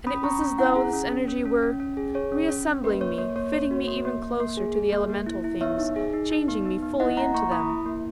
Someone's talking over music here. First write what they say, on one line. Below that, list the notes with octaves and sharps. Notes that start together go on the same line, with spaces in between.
And it was as though this energy were--reassembling me, fitting me even closer to the elemental things, changing me fully into them.
C#4 B5 D#6
C#4 A#5 C#6
C#4
E4 F#5 A#5
G#4
C#4
C#4
C#4
C#4
C#4
C#4
G#4
G#4 C#5
C#4
C#4
C#4
A#3 B4
A#3 C#5
A#3 C#5
A#3 C#5
A#3 C#5
F#4
A#3
A#3
A#3
A#3
G#4
G#4
A#3
A#3
E4
E4
B3 C#5 E5
D#4
G#4
D#4
D#4
B3
D#4
B3
E4 D#5 F#5
A#3 F#5 A#5
A#3 A#5 C#6
E4 B5 D#6
E4
A#3